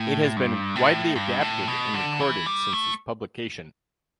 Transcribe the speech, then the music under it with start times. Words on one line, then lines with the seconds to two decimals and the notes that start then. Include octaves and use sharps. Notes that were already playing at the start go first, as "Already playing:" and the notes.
It has been widely adapted and recorded since its publication.
Already playing: A2
0.37 G2
0.75 A2
1.16 G2
1.41 A2
1.68 B2
1.94 D3
2.20 E3
2.46 G3
2.73 A3